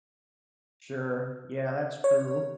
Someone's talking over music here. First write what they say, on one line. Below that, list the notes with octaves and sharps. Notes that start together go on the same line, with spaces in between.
Sure. Yeah, that's true.
C#5